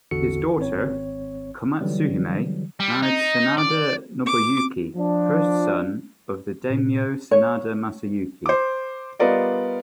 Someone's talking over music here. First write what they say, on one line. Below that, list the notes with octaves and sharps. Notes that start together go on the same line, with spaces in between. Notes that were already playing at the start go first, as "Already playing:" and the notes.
His daughter, Komatsuhime, married Sanada Nobuyuki, first son of the daimyo Sanada Masayuki.
A1 E2 D3 F#4 A4 C#7
G#1 C4 C#5
D3 E3 F#3 G3
G3
D#4
D5
D6
F3 D4
A#2
C#5
C5 D6
G3 B3 F4 A#4 D5 D#5